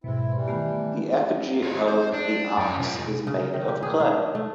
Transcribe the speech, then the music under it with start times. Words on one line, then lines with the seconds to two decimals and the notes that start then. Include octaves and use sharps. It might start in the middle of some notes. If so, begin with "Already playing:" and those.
The effigy of the ox is made of clay.
0.04 G#2 B2 C4 E4
0.35 E3 G3
0.48 D#3 A3 B3 G4
1.63 F4 C#5 F5 F#5
1.88 C5
2.14 D4
2.58 F#2 C#4
2.79 C3 F4 A#4
3.27 C#3
3.53 D#3
3.68 G4
3.83 G#4
4.00 D4
4.35 A3